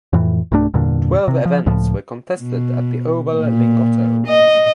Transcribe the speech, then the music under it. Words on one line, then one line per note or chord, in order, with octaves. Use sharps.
Twelve events were contested at the Oval Lingotto.
F2 A2 E3
B1 G2 A3 D4
E2 G2 A#2 D3
C3
F3
C#2 A2 F3
B2
A#2
D#5